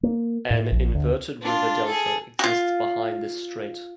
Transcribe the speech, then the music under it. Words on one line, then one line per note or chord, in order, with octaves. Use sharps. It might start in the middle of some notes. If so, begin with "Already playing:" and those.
An inverted river delta exists behind this strait.
A#3
A2
A#1
D2
D4 F4
G#4 A4
F4 F#4